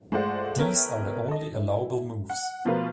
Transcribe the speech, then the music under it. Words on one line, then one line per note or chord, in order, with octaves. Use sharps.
These are the only allowable moves.
G#3 A3 F4 C5 D5 F#5
B3 A4 A#4 C#5 E5 G5
A4 D#5
E4
F#5
B2 F3 A3 F4 A#4 B4